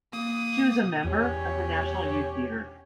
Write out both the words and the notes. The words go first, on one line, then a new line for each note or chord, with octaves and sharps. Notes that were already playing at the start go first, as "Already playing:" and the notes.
She was a member of the National Youth Theatre.
A#3 D#6
E2 C#4 G4 C#5